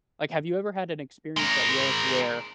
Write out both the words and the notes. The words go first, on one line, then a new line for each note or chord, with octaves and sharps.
like, have you ever had an experience at work where
G#3 A#4